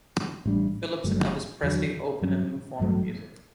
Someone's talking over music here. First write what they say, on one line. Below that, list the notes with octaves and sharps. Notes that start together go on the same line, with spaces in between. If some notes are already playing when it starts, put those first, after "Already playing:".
Phillips and Elvis Presley opened a new form of music.
A1 A2 G3 D4
G1 G2 F#3 A3
E2 D3 F#3
G2 F#3 C#4
A1 G2 F#3 A3